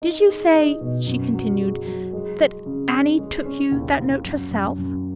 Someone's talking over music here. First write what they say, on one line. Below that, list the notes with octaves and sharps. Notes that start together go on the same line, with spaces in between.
"Did you say," she continued, "that Annie took you that note herself?"
D#4
G#4
D#4
B2
F#2
F#3
G#4
F#3
G#3
G#3
C#3
C#4
G#3
C#4
D#2
D#2
F#2
F#2
F#2